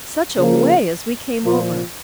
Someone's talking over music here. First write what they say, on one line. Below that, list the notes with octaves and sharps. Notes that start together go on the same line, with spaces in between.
Such a way as we came over!
C#3 F3 A#3
A#2 F3 F4